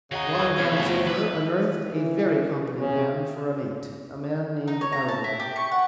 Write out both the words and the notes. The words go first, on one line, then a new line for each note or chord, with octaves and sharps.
Long John Silver unearthed a very competent man for a mate, a man named Arrow.
D#2 C#3 F#4 D#5 F#5 A#5
B4 C#5
E2 A2 C3 G#6
F#3 A3 C#4
B4
E3
C#3
D#4
C#5
A#5
A5
E4
G4
C#6
F#5